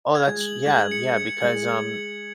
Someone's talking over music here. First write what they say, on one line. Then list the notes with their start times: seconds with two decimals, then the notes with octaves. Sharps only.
Oh, that's Yeah, yeah, because, um,
0.15 G#6
0.27 G#3
0.41 F#7
0.66 G#3 G#6
0.91 C#7
1.17 G#6
1.42 G#3 F#7
1.68 G#6